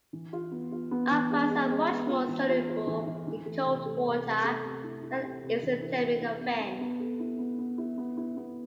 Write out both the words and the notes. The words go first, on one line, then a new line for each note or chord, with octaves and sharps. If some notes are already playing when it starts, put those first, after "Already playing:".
Opiates are much more soluble in cold water than acetaminophen.
E3
F4
B3
F4
B3
E3
G#3
G#3
G#3
B3
F4
E3
F4
F4
E3
E3
E3
A3
C3
A3
C3
C3
A3
C3
E4
E4
C3
C3
E3
E4
C3
E4
B3
B3
B3
A4
E4
B3
B3
E4
B3
E4
B3